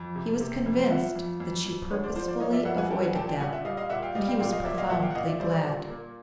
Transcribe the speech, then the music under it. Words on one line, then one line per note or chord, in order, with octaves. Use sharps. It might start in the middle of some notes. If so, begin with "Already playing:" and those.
He was convinced that she purposely avoided them and he was profoundly glad.
Already playing: F2
C3
C3
F2
F3 E5 F#5
F2
F2
F2
D3 B4 C#5
C5 D5
F3 C5 D5
C5 D5
F3 C#5 D#5
D5 E5
F2 E5 F#5
F#5 G#5
G3 G5 A5
F#5 G#5
A#2 G5 A5
G5 A5
A#2 F#5 G#5
E5 F#5
G3 D#5 F5
D#5 F5
A#2 E5 F#5
F5 G5
G3 D#5 F5
F5 G5
A#2 F5 G5
D#5 F5
A#3 D5 E5
D#5 F5
A#2 E5 F#5
F5 G5
F#5
A#2 D#5 F5
D5 E5
G3 C5 D5
A#2
A#3